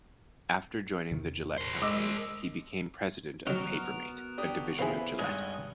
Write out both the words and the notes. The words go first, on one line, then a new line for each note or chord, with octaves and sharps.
After joining the Gillette Company, he became president of Papermate, a division of Gillette.
E2 C3 D#3
A#4 C5
G#3 D#5 D6 E6
F#3 B3 D#4 F#4 A#4
D4 G4 D#6
B3 E4 G#4 C5 F5
G#1 G2 D#5 F#5 G#5